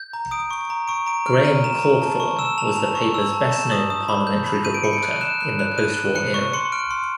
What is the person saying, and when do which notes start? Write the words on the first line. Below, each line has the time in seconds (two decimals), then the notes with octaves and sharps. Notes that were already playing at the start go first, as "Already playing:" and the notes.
Graham Cawthorne was the paper's best-known Parliamentary reporter in the post-war era.
Already playing: G6
0.13 A#5
0.31 D#6 D7
0.51 C#6
0.70 A#5
0.88 C#6 D7
1.06 A#5 D7
1.26 F6 D7
1.45 A#5 D#7
1.64 A#5 E7
1.83 A#5
2.02 A5
2.20 C#6
2.39 E6 E7
2.58 A5 F7
2.76 A5 F7
2.95 C#6
3.14 E6
3.33 A5
3.52 G6 E7
3.71 D#6
3.90 D#6
4.08 B5
4.27 G6
4.46 B5
4.64 G6 D#7
4.74 D7
4.84 B5 C#7
4.93 D7
5.02 F#6 D#7
5.21 F#6 E7
5.40 F#6
5.59 F#6
5.78 F#6 D#7
5.97 F#6
6.15 F#6 C#7
6.34 C#6
6.54 C6 C#7
6.72 F6 D7
6.91 C6